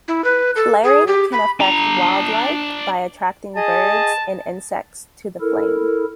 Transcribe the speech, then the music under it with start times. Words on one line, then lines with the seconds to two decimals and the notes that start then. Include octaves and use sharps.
Flaring can affect wildlife by attracting birds and insects to the flame.
0.08 E4
0.24 B4
0.56 A4
0.83 G#4
1.07 G4
1.33 B5
1.60 D4 A#5
3.56 G#4 D#5 A5
5.41 E4 A4 A#4